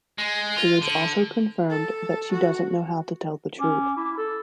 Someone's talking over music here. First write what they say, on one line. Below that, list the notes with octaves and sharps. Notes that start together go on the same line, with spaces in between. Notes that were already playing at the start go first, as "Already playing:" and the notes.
It is also confirmed that she doesn't know how to tell the truth.
G#3
F4
D3
A4
F#4
C#4 D6
E4
A4